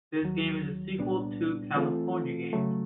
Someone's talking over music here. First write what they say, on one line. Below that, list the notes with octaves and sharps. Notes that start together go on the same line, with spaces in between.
This game is a sequel to "California Games".
D#2 D#3 F#3
C2 A#2 G3 B3 D4
E3 A3 C4 F4 A4
C#3 F#3 A3